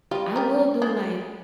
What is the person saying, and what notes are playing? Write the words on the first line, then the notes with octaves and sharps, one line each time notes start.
I will do, like,
G3 F4 D#5
D#3 G4 A#4
F3 G#3